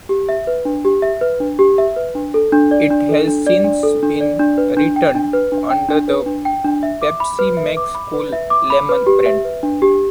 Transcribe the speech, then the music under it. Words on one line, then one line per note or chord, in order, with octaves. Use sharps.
It has since been returned under the "Pepsi Max Cool Lemon" brand.
G4
E5
B4
D4
G4
E5
B4
D4
G4
E5
B4
D4
A4
D4
D5
D4
A4
D4
D5
D4
A4
D4
D5
D4
B4
D4
G5
D4
B4
D4
G5
D4
B4
D4
G5
D4
E5
D6
B5
B4
E5
D6
B5
B4
E5
D6
B5
B4
G4
E5
B4
D4
G4